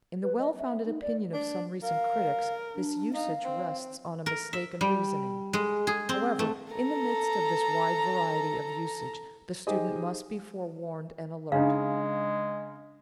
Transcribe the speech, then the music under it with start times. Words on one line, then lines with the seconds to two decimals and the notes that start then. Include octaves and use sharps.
In the well-founded opinion of some recent critics this usage rests on a mistaken reasoning. However, in the midst of this wide variety of usage the student must be forewarned and alert.
0.23 B4
0.39 D#5
0.58 E5
0.86 D#4
1.02 D5
1.33 D4
1.83 A#4 F5
2.75 D4
3.14 D#4 F5
3.44 C4
4.26 A#4
4.53 E5
4.81 G3
5.53 G#3
5.87 G#4
6.09 C4
6.39 A3
6.73 A4 A#5
9.67 D#4 G4 G#4 C5 D#5
11.52 C#3 G#3 D4 D#4 F5